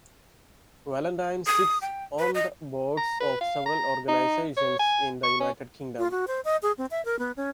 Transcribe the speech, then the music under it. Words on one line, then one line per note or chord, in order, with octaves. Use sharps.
Valentine sits on the boards of several organisations in the United Kingdom.
D#6
G5
B4
D#5
A#5
B4
F5
A#5
D#4
C#5
G#5
C#6
C#4
F4
F#4
C5
D#5
G#4
C4
E5
A#4
B3
C#4